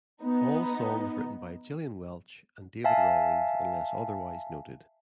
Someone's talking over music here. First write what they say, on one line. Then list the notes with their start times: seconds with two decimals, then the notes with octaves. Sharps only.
All songs written by Gillian Welch and David Rawlings unless otherwise noted.
0.23 B3 D#4
2.84 E5 F5 G#5 A5